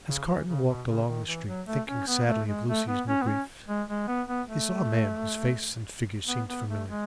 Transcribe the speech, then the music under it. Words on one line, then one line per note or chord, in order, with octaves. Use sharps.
As Carton walked along the street thinking sadly of Lucie's new grief, he saw a man whose face and figure seemed familiar.
C#3
E3
C#3
B2
C#3
D#3
E3
F#3
A3
C#4
B3
A3
G#3
A3
B3
C#4
B3
C#4
G#3
G#3
B3
B3
A3
B3
B3
A3
G#3